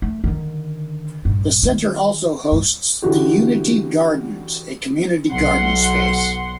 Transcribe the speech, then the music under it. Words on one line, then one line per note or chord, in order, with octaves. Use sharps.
The center also hosts the Unity Gardens, a community garden space.
A3
D3 D#3
A#1 G2
D#3
G2
D3 E3 F#4 G4
B1 F#5 C6